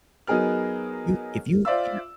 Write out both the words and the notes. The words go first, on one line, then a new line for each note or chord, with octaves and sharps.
you if you, you know,
F#3 B3 D#4 G#4 A#4 F6
F4 C5 D5 E5 F5 E6